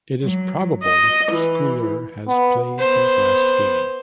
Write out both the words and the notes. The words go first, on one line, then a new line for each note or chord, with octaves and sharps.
It is probable Scoular has played his last game.
F#3
D#5
E3
B3
B3 C5